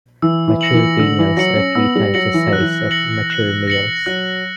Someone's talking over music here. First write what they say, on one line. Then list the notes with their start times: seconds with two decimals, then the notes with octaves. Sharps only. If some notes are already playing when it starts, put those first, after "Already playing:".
Mature females are three times the size of mature males.
0.22 E3 E6
0.48 E3
0.61 A#6 C#7 F#7
0.74 E3
0.99 D3 E6
1.19 E3
1.37 F#3 A#6 C#7 F#7
1.56 C#4
1.75 B3 E6
1.96 G3
2.14 F#3 A#6 C#7 F#7
2.34 E3
2.47 F#3
2.53 F#6
2.61 E3
2.91 A#6 C#7 F#7
3.30 F#6
3.68 A#6 C#7 F#7
4.06 F#3 F#6